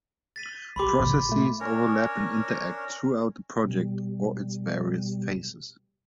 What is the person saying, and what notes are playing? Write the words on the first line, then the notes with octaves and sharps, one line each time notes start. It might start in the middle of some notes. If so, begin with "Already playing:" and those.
Processes overlap and interact throughout a project or its various phases.
A6 B6 D#7
B1 G4 B5 C6 D6
A1 A2 C#3
A#2 A3
C#4 D4 A#4 C#5
B2 G3